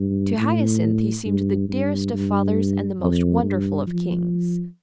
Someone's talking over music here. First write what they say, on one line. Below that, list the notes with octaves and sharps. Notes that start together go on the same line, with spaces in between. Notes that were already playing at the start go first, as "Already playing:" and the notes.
To Hyacinth he seemed the dearest of fathers and the most wonderful of kings.
Already playing: G2
A2
G2
G2
G2
F2
G2
F3